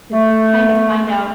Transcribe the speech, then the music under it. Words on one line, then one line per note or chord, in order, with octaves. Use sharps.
if kinda find out
A3